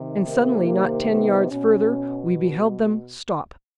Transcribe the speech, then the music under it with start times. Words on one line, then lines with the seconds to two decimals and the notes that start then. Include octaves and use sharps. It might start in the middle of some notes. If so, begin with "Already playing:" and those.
And suddenly, not ten yards further, we beheld them stop.
Already playing: C3 D#3
0.28 A#3
1.10 B3
1.51 B2 C#4